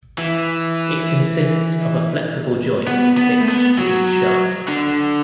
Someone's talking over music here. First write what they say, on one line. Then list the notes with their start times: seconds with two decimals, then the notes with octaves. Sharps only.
It consists of a flexible joint fixed to each shaft.
0.18 E3
2.87 B3
3.17 B3
3.41 A3
3.48 B3
3.78 F#3
4.68 D3